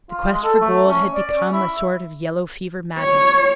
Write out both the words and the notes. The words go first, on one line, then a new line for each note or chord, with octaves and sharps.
The quest for gold had become a sort of yellow-fever madness.
F4
G#3
A4
A3
C#4
D5
C#4
E4
C#5